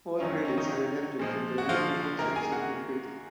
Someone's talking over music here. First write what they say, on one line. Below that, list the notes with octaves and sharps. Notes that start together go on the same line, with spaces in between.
All credits are adapted from the liner notes of "Something Pretty".
F#2 D#3 F#3 C#4
C4
C#4
D#3 D#4
A#2 F3 G#3
F#4
F3 F4
F#2 D#3 G#3 A#3 A#4
G#4 G#5
F#4 F#5